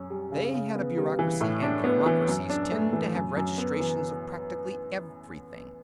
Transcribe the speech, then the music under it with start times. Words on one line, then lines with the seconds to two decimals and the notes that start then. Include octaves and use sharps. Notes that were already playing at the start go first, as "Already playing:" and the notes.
They had a bureaucracy, and bureaucracies tend to have registrations of practically everything.
Already playing: F#2 C#4
0.10 G3
0.32 C#3
0.54 C#3
0.75 B3
0.98 G3
1.19 E3
1.41 A2
1.62 D4
1.84 B3
2.06 E3
2.28 F#2
2.50 D4
2.71 A3
2.93 E3
3.15 F#2
3.36 F#2
3.58 B3
3.80 E3